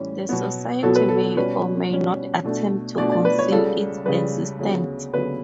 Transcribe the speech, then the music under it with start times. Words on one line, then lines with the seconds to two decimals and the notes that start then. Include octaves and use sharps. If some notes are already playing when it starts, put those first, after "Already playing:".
The society may or may not attempt to conceal its existence.
Already playing: A2 E3 G3 C#4
0.29 B2 F#3 B3
0.83 B2 F#3 B3 A4
0.95 B4
1.09 A4
1.37 B2 G3 C#4 B4
1.90 B2 G3 C#4
2.45 B2 A3 D4
2.98 B2 A3 D4 D5
3.12 D5
3.25 B4
3.39 C#5
3.52 C#2 C#3 G3 A4
4.05 C#2 C#3 G3 B4
4.59 D2 C#3 F#3 B3
5.13 D2 C#3 F#3 B3 B4